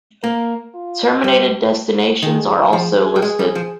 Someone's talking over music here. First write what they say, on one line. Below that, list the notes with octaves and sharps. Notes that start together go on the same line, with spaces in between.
Terminated destinations are also listed.
A#3 A#4
F4
G3 G4
D#3 G#4
F3 G#4
G3
G#3
G3
F3